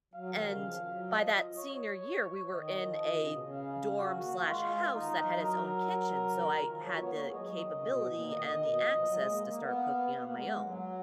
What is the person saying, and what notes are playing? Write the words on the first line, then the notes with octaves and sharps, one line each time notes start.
and, by that senior year we were in a dorm slash house that had its own kitchen, so I had the capability and the access to start cooking on my own.
F#3 F5
D#3
C#3
F3
F3
F#3
F3 D#5
C#5
D#3 D#5
F3
D#3
C#3
B2
C#3
F5
C#3 F#4
D#3
A#3
A#3
G#3 F4
A#3
B3
A#3
D#3 D#4
F3
F#3
A#4
C#3
D#3
F3
G#3
F#3 C#5
B3
A#3
G#3
F#3 D#5
F#3
D#3
C#3
B2
A#2
D#3 D#5
D#3
B2
A#2
F3
F#3
G#3
A#3
A#3
B3
F5
B3
A#3 F#5
G#3
G#3
F#3
F#5